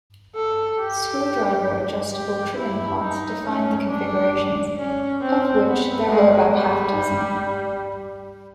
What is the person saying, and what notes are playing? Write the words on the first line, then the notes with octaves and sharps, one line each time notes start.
Screwdriver-adjustable trimming pots defined the configurations, of which there were about half a dozen.
A4
G4
G4
E4
D#4
C#4
D4
C#4
C4
B3
G#3
G3